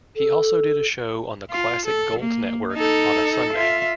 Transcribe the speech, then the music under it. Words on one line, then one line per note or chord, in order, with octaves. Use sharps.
He also did a show on the Classic Gold Network on a Sunday.
A4
F4
A4
A#3
D#4 A4
F4 E5